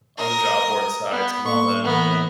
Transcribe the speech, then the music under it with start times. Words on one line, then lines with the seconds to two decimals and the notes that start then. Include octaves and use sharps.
On the job board sites and all that, yeah.
0.18 A#4 D#6
1.10 B3
1.45 A2 A#3 C6 C#6
1.85 A2 E3 B3 A#4